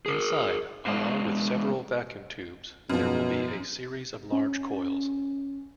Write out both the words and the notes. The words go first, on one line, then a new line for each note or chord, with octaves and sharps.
Inside, along with several vacuum tubes, there will be a series of large coils.
G#4 A#4
G#3 B3 D4 F5
F#2 B2 F3
C#4